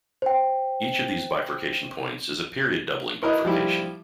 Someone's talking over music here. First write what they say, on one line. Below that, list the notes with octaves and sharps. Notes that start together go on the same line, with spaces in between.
Each of these bifurcation points is a period-doubling bifurcation.
C5 G5
E4 A#4 B4 D#5
F3 G3 E4 G4